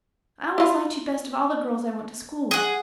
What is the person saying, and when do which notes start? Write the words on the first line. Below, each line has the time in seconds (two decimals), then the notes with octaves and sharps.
I always liked you best of all the girls I went to school with.
0.58 E4 F4
2.51 G#4 F#5